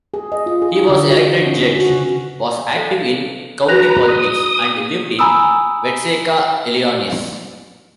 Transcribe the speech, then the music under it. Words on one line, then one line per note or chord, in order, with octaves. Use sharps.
He was elected judge, was active in county politics, and lived in Watseka, Illinois.
G#4
D#5
F4
G#4
D#4
D3
F#4
F#4
C#4
C#4
F#4
C#3
A4 C5 F5
D4 F#4 G#4 B4 A#5
D#6
G#5 A#5 B5 D#6 E6